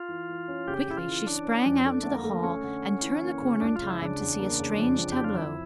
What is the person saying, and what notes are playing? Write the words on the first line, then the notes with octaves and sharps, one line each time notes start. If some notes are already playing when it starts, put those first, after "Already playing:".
Quickly she sprang out into the hall and turned the corner in time to see a strange tableau.
Already playing: F4
E3
E3
C#4
C#3 G4
C#3 E4
F4
E3
C#4 D4
C#4
F2
D4 A4
D3 A3
A#3
A3
A3 C#4
D3
D3
E3
A#3
C#3
C#2 D4
F4
C#3
E4
C#3 D4
E2
A#3
C#3
F2
F2
G4
E3
F4
F2 E4